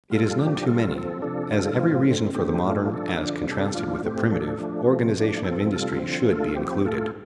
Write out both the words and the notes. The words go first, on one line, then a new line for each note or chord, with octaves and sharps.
It is none too many, as every reason for the modern, as contrasted with the primitive, organization of industry should be included.
G3 F4 A4
F3 D4 G4
G3 F4 A4
F3 C4 A4
C3 F3 D4 A4
D3 G3 F4 A4
A2 F3 C4 F4
D3 A3 C4
D3 A3 C4 G4
A2 A3 D4 F4
F3 D4 A4
D3 F3 D4
C3 G3 D4 A4
A2 F3 D4 F4
A2 A3 C4 G4
A2 F3 D4 A4
F3 A3 D4
C3 F3 A3
F3 A3 D4
F3 C4 A4
C3 G3 F4 A4
D3 F3 C4
D3 A3 F4 A4
F3 C4 G4
A2 A3 F4 A4